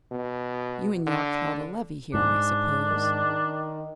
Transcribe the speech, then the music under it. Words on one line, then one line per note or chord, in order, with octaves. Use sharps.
You and Yorke held a levee here, I suppose?
B2
D3
G#2 D4
D#3